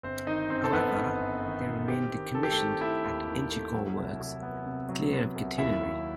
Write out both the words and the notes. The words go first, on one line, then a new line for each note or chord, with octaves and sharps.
However, they remain decommissioned at Inchicore Works, clear of catenary.
G1 C4 C5
D#3 D#4 D#5
F#2 C4 C5
A4
G1 B3 B4
G1
G1
D#3
D#3
C4 G4
D#3
D#3 A4
G4
A3 A4
C4
A3 E4 E5
D#2
D#3
A3
F#3
C2
C2
B3
C3
F#3
B3
C2
D#2 E4 E5
F#3